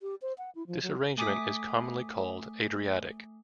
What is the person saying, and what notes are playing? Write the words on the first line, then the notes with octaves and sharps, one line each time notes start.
This arrangement is commonly called Adriatic.
G4
C5
F#5
E4
F3
F#3
A3 G#5 D6 D#6 B6